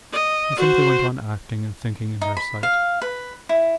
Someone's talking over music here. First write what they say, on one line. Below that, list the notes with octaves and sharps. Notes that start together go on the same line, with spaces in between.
He simply went on acting and thinking in her sight.
D#5
F#4 C5
D#4
B5
F5
B4
E4